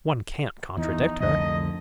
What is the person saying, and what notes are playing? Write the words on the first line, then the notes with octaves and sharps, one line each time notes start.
One can't contradict her.
E2 D#4
F1 C2 D3 D#5